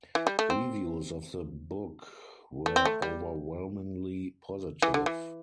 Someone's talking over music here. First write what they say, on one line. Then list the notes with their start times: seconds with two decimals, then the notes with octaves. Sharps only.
Reviews of the book were overwhelmingly positive.
0.15 E3
0.27 G3
0.39 A3
0.50 C4
2.66 A3
2.76 C4
2.85 A3
3.02 G3
4.82 E3
4.94 D3
5.06 E3